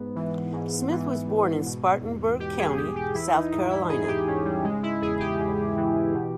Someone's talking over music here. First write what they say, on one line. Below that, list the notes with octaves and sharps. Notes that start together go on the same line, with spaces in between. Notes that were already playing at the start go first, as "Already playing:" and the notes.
Smith was born in Spartanburg County, South Carolina.
Already playing: G#2 B3
E3
G#2
E3
G#2
B2
E2
B2 G4
G#4
E2 G4
G4
E3 E4
D#4
G#2 D#4
E4
E3 G#4
G4
G#2 C#4
G3
C#3 G#3
E4
E2 G#4
G4
E2
E3
B2